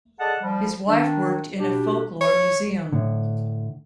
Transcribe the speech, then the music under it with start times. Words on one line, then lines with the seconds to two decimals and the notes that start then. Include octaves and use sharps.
His wife worked in a folklore museum.
0.19 G#4 A4 D5 D#5 F#5 A5
0.42 F3 G3
0.87 D#3 D4
1.59 B2 D4 G4
2.21 C#5
2.92 A2 D3